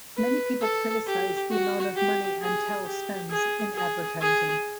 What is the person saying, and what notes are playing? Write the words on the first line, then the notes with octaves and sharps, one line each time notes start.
Many people criticize the amount of money Antel spends in advertising.
B4
A4
G4
F#4
G4
G#4
G4
G#4
G#4
G#4